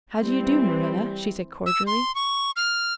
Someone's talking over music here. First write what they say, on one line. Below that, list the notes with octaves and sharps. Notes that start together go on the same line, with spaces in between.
"How do you do, Marilla?" she said cordially.
E3 G3 C4
E6
C6
C#6
F6